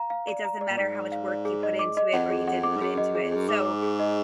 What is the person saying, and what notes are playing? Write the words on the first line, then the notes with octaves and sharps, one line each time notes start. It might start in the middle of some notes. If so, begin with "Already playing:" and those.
it doesn't matter how much work you put into it or you didn't put into it, so
Already playing: F5 A#5
F5
D5
A#5
D5
A#2
G#2 D5
D5
F5
D5
G#4
D#5
D6
D#5
F2 F#5
G#4
F#5
D6
G#2
F#2 G#4
D#5
G#4
F2
F#2 G#4
G#2 D6
D6
G#4
D#5